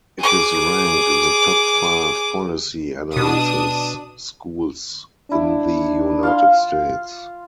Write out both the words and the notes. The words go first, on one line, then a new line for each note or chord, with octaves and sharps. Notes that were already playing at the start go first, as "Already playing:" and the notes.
It is ranked in the top five policy analysis schools in the United States.
G#4 D6
B2 D4 D#6
D4 E4
F4 F5 C6